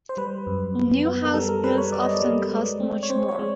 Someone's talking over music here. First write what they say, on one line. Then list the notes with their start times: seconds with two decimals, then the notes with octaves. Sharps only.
New house builds often cost much more.
0.09 C5
0.17 G3 B4
0.47 F#2
0.75 B3
1.05 B3
1.25 A#4
1.34 G3 A4
1.49 A#4
1.64 G3 B4
1.78 C#5
1.92 G3 D5
2.02 D#5
2.11 D5
2.22 G3
2.51 G#3
2.80 C4
3.03 C#5
3.10 C4 C5
3.28 C#5
3.39 G#3